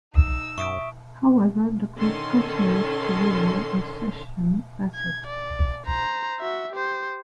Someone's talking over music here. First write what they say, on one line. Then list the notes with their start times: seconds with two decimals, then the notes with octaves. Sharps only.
However, the group continued to rely on session bassists.
0.13 D#4 E6
0.58 F#2 E5 C#6 D#6 D7
1.98 D3 D#3 C#4 A4 C6
4.95 G#6
5.27 D5
5.86 C5 A#5
6.40 F#4 E5
6.72 G4 C5